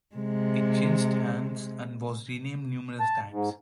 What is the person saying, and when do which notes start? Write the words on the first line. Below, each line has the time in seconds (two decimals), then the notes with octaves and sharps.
It changed hands and was renamed numerous times.
0.15 C3 G#3
3.00 A5
3.31 G#2